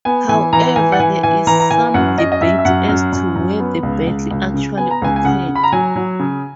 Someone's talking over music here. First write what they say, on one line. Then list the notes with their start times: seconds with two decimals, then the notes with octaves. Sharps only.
However, there is some debate as to where the battle actually occurred.
0.05 B3 G#5
0.29 E3 G#5
0.53 E3 A#5
0.76 E3 G#5
0.92 F#5
1.00 E3 G#5
1.23 E3 G#5
1.47 E3 A#5
1.60 A#5
1.70 E3 G#5
1.94 F#2 F#5
2.18 F#2 D#5
2.32 D#5
2.41 F#2 E5
2.59 E5
2.65 F#2 F#5
2.88 F#2
3.12 F#2
3.36 F#2
3.59 B3
3.83 C#2
4.07 C#2
4.31 C#2
4.54 C#3
4.77 B3 G#5
4.91 A#5
5.02 C#2 G#5
5.16 G#5
5.24 C#3 F#5
5.49 C#3
5.56 B5
5.64 A#5
5.72 F#3 G#5
5.96 F#3
6.19 C#3